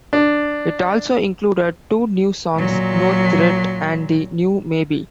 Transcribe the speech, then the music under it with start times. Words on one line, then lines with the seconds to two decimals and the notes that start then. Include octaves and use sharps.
It also included two new songs, "No Threat" and "The New Maybe".
0.13 D4
2.55 A#2 F#3